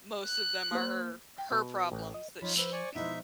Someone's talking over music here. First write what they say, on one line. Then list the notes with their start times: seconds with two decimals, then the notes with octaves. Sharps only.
most of them are her her problems that she
0.24 F#6
0.71 A#3 C5
1.38 G5
1.52 B2
1.92 A1
2.14 D#5
2.42 F3 D#4 F4 C#5 B5
2.57 B4 C5 E6
2.72 D5 G#5 C#6
2.95 B2 F3 G#3 D#4 E4 E5